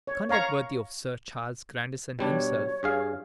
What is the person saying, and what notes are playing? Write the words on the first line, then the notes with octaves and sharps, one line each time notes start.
Conduct worthy of Sir Charles Grandison himself.
C#5
C#5 F5 A#5 C#6
B2 G3 D4 C#5
G2 G#4 F5